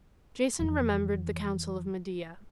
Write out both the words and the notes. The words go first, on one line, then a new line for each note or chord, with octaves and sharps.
Jason remembered the counsel of Medea.
F2 E3